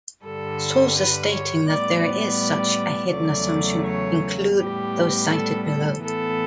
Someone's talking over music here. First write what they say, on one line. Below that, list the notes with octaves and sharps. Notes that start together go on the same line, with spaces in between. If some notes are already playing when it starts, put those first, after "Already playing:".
Sources stating that there is such a hidden assumption include those cited below.
G2 D3 G3 A4
B4
C#5
A2 G3 B3 D5
D5
E2 C#3 F#3 A3 D5
C#5
A2 G3 B3 G4
A4
A4
A2 E3 B3 A4